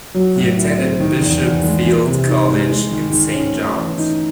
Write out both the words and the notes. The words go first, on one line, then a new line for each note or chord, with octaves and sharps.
He attended Bishop Feild College in Saint John's.
F#3
A2
E4
C4
D#3
E2
E2
G#3
E3
C3
D#4
G#3
G#3
D#3
D#3
C#4
A3
E3
D#4